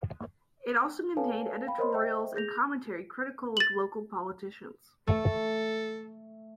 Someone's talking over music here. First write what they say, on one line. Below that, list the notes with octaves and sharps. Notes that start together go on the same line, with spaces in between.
It also contained editorials and commentary critical of local politicians.
A4 B4 C#5 F5 G#5 A5
F5 G5 B5
A#4 C5 C#5 D#5 B5 C6
C5 D#5 E5 G5
G#4 G6 A#6 F7
A6 F#7
A3 A4